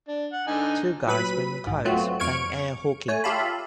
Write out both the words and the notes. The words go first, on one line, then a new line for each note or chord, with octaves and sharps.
Two guys wearing coats playing air hockey.
D4
F#5
D3 D#4 G#5
A#2 F#3 B4 B5 B6 D#7
B1 G#2
F#3 A3 B3 C4 F4 F#4
F2 C#6 F6 G#6 D7
A3 C#5 G#5
F4 G4 E5 F5 A5 B5